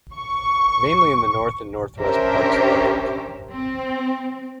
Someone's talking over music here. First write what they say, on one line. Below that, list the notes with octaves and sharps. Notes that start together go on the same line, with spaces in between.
Mainly in the north and northwest parts of the lake.
C#6
C#4 D4 G4 A#4 C5 E5
C4